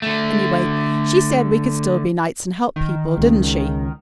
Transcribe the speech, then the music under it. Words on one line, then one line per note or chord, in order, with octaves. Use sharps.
Anyway she said we could still be knights an' help people, di'n't she?
D3 A3
D#3
C#2 C#3